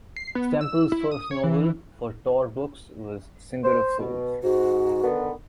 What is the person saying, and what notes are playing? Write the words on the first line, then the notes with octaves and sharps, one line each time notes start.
Stemple's first novel, for Tor Books, was "Singer of Souls".
C7
B3
E6
E4
D#6
C#5
E3
C5
B2
G#2 F#4
D3 D#3 B3